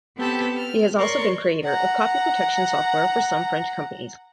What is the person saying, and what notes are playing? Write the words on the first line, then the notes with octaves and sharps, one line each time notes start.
He has also been creator of copy protection software for some French companies.
B3 C4 G4 A4
F6
A#4 C#5 D5 C6 C#6
F#5 A#5